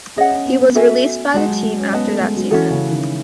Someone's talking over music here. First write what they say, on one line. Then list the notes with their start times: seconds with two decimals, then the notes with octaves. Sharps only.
He was released by the team after that season.
0.17 C#4 G#4 D#5 F#5
0.31 C#4
0.46 B3
0.61 B3
0.75 F#4 A4 E5 G#5
1.34 G#3 F#4 B4 F#5 A5
1.48 F#3
1.63 G#3
1.78 C#4
1.93 B3 B4 D#5 F#5 A5
2.08 A3
2.21 G#3
2.36 F#3
2.51 E3 C#4 F#4 A4
2.70 C#3
2.90 D#3